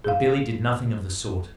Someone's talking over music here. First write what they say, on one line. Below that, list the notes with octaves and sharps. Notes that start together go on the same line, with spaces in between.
But "Billy" did nothing of the sort.
G#4 F5